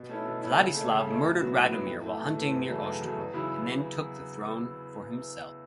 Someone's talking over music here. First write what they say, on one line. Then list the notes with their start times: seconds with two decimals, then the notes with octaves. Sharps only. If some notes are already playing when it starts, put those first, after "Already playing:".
Vladislav murdered Radomir while hunting near Ostrovo, and then took the throne for himself.
Already playing: B2
0.09 A3 C#4 E4
0.25 B2
0.41 A3 C#4 E4
0.57 C#3
0.74 A3 C#4
0.90 C#3
1.06 A3 C#4
1.23 A2
1.39 F#3 B3 F#4
1.55 A2
1.71 F#3 B3 F#4
1.86 A2
2.04 E3 A3
2.19 A2
2.35 E3 A3
2.51 E2
2.68 C#3 F#3 A3
2.84 E2
3.01 C#3 F#3 A3
3.17 E2
3.33 C#3 F#3 B3 E4